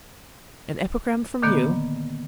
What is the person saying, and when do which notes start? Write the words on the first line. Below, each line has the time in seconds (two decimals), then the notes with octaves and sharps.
An epigram from you?
1.42 A#2 D3 D#3 A#3 B3